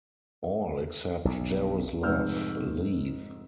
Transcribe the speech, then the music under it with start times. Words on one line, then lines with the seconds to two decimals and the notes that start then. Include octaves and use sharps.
All except Jaroslav leave.
1.25 B1
2.03 F1 G#2 B4 E6 F6 G6